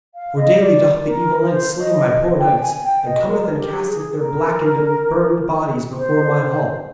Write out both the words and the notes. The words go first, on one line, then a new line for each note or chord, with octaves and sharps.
For daily doth the evil knight slay my poor knights, and cometh and casteth their blackened and burned bodies before my hall.
F5
D#5
D5
A#4
C5
D#5
D#5
G5
G#5
G5
D#5
A#4
G4
G#4
A#4
C5